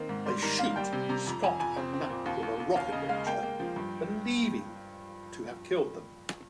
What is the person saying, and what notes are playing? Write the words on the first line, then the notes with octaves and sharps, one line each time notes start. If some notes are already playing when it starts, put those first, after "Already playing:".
They shoot Scott and Mac with a rocket launcher, believing to have killed them.
Already playing: D#3 A#3 C4
G#2
G3 C6
D#3 A#5
A#3 F5
G3 G5
C3
C3 A#5
F2 A#5
F2 G#5
F2 G#5
C4
C4
A#2
D#2
D#2
D#2
D#2 F5
C#3 D#5
G#3 F5
A#3 G5
A#3
F3
G2